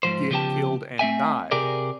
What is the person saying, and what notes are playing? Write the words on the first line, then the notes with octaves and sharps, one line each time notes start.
get killed and die,
G#2 F3 C5
C#3 F3 B3 G4 G5 A5
A3 C4 E5 G#5
C3 G4 G#4 A#4 D5